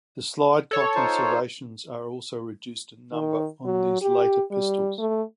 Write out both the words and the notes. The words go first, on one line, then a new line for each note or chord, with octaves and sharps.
The slide cocking serrations are also reduced in number on these later pistols.
A4 C#5
D#4 F4 C5
D#3
F#3
G4
G3
A3